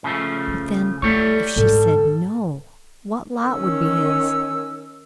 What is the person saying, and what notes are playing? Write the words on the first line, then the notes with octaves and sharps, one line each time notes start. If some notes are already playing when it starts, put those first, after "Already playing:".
But then, if she said "no," what lot would be his?
C#3 F3 A3
D#3
G3 A3 E4 C#5
G#2 A4
D#3 C#4 E6